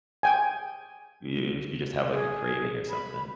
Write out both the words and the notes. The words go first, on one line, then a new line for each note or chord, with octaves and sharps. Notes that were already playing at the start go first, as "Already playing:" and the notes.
you you could just have, like, a craving or something.
G5 G#5
G#4
B5